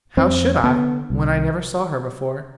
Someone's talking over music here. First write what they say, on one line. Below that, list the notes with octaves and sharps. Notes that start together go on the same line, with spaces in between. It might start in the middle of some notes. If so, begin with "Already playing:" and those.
"How should I, when I never saw her before?"
F2 C4
D3 B3
C2